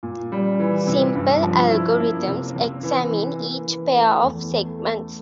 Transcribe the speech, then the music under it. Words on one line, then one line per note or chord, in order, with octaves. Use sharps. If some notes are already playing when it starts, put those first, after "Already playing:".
Simple algorithms examine each pair of segments.
A#2
G3
E3
C3
G2
F3
E4
A#3
C3
C3
E3
E3
A#3
E3
A3
E2
A3
A3